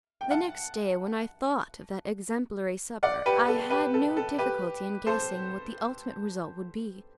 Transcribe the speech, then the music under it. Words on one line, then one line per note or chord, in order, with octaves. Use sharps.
The next day, when I thought of that exemplary supper, I had no difficulty in guessing what the ultimate result would be.
G5
F#5 A5
D5 F#5
G4 B4
A4
G4 B4
A4
A4
G4 B4
A4 C5